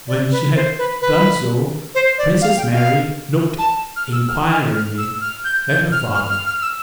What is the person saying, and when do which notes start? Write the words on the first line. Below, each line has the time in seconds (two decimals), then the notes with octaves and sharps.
When she had done so Princess Mary looked inquiringly at her father.
0.08 D5
0.32 B4
0.55 C5
0.78 B4
1.01 B4
1.95 C5
2.18 D5
2.41 F5
2.57 G5
2.72 F5
3.58 A5
3.96 F6
4.13 E6
4.28 F6
4.52 F6
4.75 F6
4.98 E6
5.21 F6
5.45 G6
5.68 G6
5.92 F6
6.15 F6
6.30 F6
6.46 F6
6.62 E6